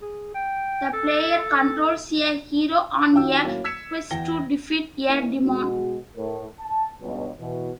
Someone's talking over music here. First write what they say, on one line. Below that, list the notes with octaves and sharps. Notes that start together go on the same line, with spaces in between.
The player controls a hero on a quest to defeat a demon.
G#4
G5
A4
D#3 F4 F#4 G5 E6
A2 F#3 A#3 C#4
E6 G#6 B6 C#7 E7
E2 G5 A#6 G7
A#3 C#4 D#4 E4
B2 G#3 F#4
A2 A#4
A5
C#2 G2 B2
B2 E3